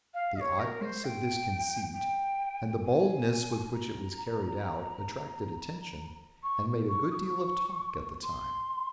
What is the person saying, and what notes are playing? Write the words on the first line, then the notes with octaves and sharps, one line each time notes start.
The oddness of this conceit, and the boldness with which it was carried out, attracted attention, and made a good deal of talk at the time.
F5
D#5
C#5
A#4
C#5
C5
G5
G5
G#5
A#5
C#6
C#6
D#6
C#6
C6